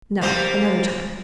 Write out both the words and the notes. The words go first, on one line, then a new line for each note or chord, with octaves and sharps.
"No, another time."
G3 A#3 C5